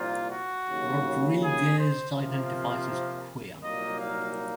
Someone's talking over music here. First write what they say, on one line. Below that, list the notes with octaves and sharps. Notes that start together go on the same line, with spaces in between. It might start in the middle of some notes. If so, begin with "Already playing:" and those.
Rodriguez identifies as queer.
Already playing: C2 A#2 F3 A#3 D#4 F4
F#4
D#2 C#3 F#3
G#4
C5
C3 F3 A#3
C2 A#2 F#3 A#3 D#4 D#5
F5